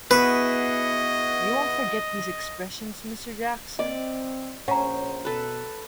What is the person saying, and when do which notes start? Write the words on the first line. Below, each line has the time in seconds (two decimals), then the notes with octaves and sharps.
You won’t forget these expressions, Mr. Jackson?
0.11 B3 E4 F#4 G#4 B4 D#5
3.79 C4 D5 D#5
4.68 A#1 C#4 C5 F#5 A#5
5.25 B2 A4 B4